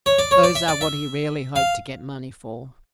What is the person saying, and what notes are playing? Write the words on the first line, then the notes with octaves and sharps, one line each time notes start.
Those are what he really hoped to get money for.
C#5
D5
C#5
D5
E5
D5
E5
F5